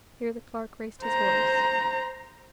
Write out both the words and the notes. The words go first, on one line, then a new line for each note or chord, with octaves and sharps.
Here the Clerk raised his voice.
C5 A#5